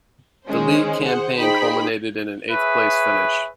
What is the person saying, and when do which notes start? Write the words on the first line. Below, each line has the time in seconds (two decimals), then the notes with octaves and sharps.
The league campaign culminated in an eighth-place finish.
0.46 D#3 G#3 C#4 C5
1.06 G#4 C5 F#5
1.38 D#4 G#4 C5 G5 B5
2.51 G#4 B4 C#5 E5